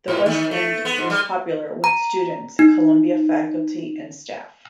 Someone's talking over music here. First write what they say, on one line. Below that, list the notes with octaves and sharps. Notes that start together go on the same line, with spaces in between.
The West End was popular with students, Columbia faculty and staff.
G#2
D#3
A3
B3
G#2
G3
A#5
D#4